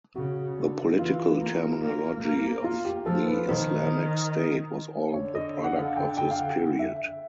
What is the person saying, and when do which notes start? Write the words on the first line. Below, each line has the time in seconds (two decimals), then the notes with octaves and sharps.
The political terminology of the Islamic state was all the product of this period.
0.16 C#3 F#4
0.57 D3
0.98 E3 F4
1.40 A#3
1.82 A#3
2.22 A#3
2.64 F4
2.85 G4
3.06 F3 A4
3.27 B4
3.48 D#3 C5
5.14 D3 C#5
5.35 D#5
5.64 F#5
5.76 F5
5.96 G5
6.17 G5
6.30 F5
6.39 F#5
6.79 E5